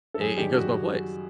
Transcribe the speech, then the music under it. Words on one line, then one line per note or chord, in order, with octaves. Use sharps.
It it goes both ways,
A4
F#2 G#4
D#3 G3 G4
F#2 F#4